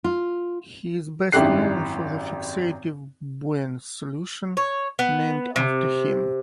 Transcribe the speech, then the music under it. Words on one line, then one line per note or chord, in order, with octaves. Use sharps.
He is best known for the fixative Bouin solution named after him.
F4
G#1 F#2 E4 G4 F#6 C7
C#5
B3
C3